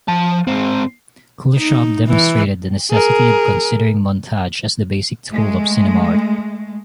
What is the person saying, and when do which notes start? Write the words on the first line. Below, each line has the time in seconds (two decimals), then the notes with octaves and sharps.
Kuleshov demonstrated the necessity of considering montage as the basic tool of cinema art.
0.08 F3 A5
0.47 G#2 C4
1.57 D#4
2.08 E3
2.91 G#4 A#4
5.32 G#3 A3